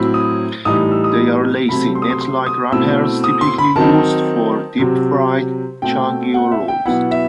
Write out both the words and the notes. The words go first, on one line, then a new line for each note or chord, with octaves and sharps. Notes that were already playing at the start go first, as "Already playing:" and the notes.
They are lacy, net-like wrappers typically used for deep-fried cha gio rolls.
Already playing: A2 F#3 C4 E4
D#6
A2 E3 G3 D#4 D#6
E6
D#6
C3 F#3 A3 C4 B5
C6
D#6
C6
C6
D#6
B2 A3 C4 E4 E6
D#6
C6
B5
D#3 F#3 C4 D#4 A5
C3 F#3 C4
B2 A3 C4 G5
F#5
E5
G5
B2 F#3 B3 E4 F#5
E5